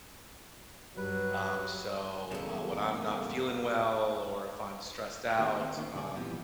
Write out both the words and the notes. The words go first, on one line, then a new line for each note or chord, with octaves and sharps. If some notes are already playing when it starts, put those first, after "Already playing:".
um, so, uh, when I'm not feeling well or if I'm stressed out, um,
G2 F#3 G3 B4
E2 G2 C#3 G#3 A#3 A4
D#3 A#3 C4 F#4 G4
C4 C#5
D#3 A#3 C#4
B1 C#3 G4 D5 G#5
A#2 E3 F3 G3 B3 C4